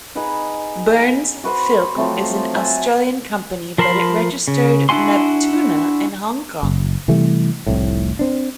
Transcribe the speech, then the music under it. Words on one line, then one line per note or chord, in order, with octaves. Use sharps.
Burns, Philp is an Australian company but it registered "Neptuna" in Hong Kong.
D#4 G#4 B4 F#5
F#4 B4 C5 F#5
F3 F#3 A3 C4
F#4 E5 G#5 A5
F3 A#4 A5 B5 C6
C#3
D4 E4 F#4 G#5 C6
F#1
C3 E3 G3 A3
F1 C2 A2
C4 D4